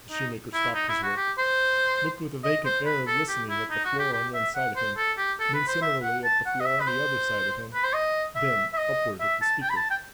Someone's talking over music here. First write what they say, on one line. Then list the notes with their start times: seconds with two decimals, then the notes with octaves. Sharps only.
The shoemaker stopped his work; looked with a vacant air of listening, at the floor on one side of him; then similarly, at the floor on the other side of him; then, upward at the speaker.
0.11 D#4
0.54 E4
0.75 D#4
0.89 E4
1.03 F#4
1.17 G4
1.38 C5
2.44 D#5
2.65 C5
2.85 B4
3.07 A4
3.28 G4
3.49 E4
3.70 D#4
3.84 F#4
3.99 G4
4.13 G4
4.34 E5
4.55 F#5
4.76 C5
4.97 A4
5.18 G4
5.40 A4
5.54 B4
5.68 C5
5.82 E5
6.03 F#5
6.24 A5
6.46 F#5
6.60 D#5
6.66 E5
6.80 B4
6.87 C5
7.74 B4
7.84 C5
7.93 D#5
8.35 E5
8.73 E5
8.78 D#5
9.20 E5
9.41 A5
9.62 G5
9.69 B5
9.76 A5
9.90 G5